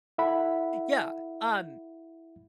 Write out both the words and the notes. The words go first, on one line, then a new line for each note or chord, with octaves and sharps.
Yeah, um
E4 A4 E5 F#5 B5